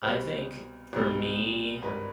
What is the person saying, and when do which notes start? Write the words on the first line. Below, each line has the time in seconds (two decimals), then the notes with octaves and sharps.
I think, for me
0.03 C2 B2 G3 C5
0.93 C2 B2 G3
1.82 G#1 G2 D#3 B4